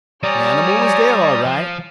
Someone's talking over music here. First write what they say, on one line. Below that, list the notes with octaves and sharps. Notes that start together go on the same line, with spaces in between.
The animal was there all right.
G3 C#5 D5 G#5 A#5 D#6
F3